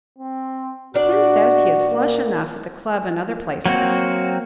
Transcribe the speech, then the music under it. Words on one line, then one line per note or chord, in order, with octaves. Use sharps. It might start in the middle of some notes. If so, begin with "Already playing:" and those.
Tim says he is flush enough at the club and other places.
C4
A#2 D4 F#4 D5
A#3
F#3 A#3 C4 F#4